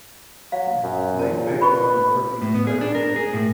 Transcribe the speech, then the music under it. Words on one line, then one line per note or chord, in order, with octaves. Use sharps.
The main bank is on the north-east side of the ditch.
F#3 F5
F#2
A#2 A5
F4 B4 B5 C#6
A2
B3
G#4
D4
A#4
G#4
A2